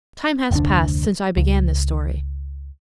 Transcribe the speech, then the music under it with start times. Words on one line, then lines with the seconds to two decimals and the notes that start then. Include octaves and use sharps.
Time has passed since I began this story.
0.51 F1 D2 D4
1.37 C#2